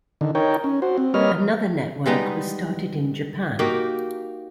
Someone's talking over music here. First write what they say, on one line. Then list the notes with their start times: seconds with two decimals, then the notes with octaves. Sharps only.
Another network was started in Japan.
0.21 D3 D#3
0.35 D#4 A#4 C#5 G5
0.64 C#4
0.82 F#4 C5
0.98 C4
1.14 G3 A#3 B4 C#5 D#5 F6
2.06 G3 G#3 B3 D#4
3.59 A#3 D#4 F#4 G4